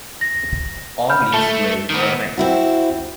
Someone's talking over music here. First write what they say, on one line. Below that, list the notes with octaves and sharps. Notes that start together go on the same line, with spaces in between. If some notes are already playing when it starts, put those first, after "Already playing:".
Only three were made.
A#6
B5 F6 G6
A3 A5 G7
D#3 B3
C4 E4 F#4